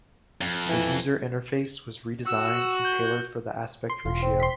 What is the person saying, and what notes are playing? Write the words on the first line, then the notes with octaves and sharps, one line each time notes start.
The user interface was redesigned and tailored for the aspect ratio.
F2
E3
F#4 E6
G6
C6
E1 F4
C4
C6 B6